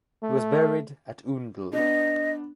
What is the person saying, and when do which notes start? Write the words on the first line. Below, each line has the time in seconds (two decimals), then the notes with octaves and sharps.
He was buried at Oundle.
0.23 A3
1.73 B3 D4 D#5